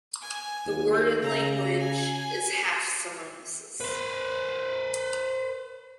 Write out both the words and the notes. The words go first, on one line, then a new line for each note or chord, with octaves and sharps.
The word in language is half someone else’s.
G#5
D#2
C#3 A#5
G#5
B4 C5